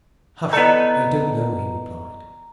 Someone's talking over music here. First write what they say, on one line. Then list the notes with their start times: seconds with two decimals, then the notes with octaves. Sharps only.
"Hush, they don't know," he replied.
0.53 B3 E4 A4 D5 D#5 A#5